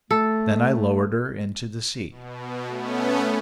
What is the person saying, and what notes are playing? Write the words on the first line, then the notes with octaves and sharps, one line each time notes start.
Then I lowered her into the sea.
A3 A4
B2
A3 B3 C#4